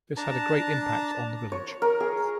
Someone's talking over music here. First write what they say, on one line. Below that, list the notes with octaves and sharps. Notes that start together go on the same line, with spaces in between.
This had a great impact on the village.
D4 A5 A#5
C#5
A#4
G#4